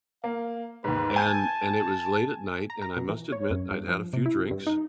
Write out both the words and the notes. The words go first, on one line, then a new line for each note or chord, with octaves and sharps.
and and it was late at night, and I must admit, I'd had a few drinks,
A#3 F5
D#2 G#2 B4
G#5 A5 G6
A#5
A#5
B2
E3
C#5
F#2
G2
F3
C3
E4
G2
D#4